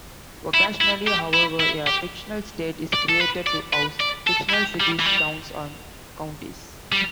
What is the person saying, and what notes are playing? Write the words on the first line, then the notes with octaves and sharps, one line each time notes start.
Occasionally, however, a fictional state is created to house fictional cities, towns, or counties.
E4
E4
G4
E4
E4
G4
D5
A4
B4
D5
B4
D5
A4
E4
G4
G3
E3
G3
G3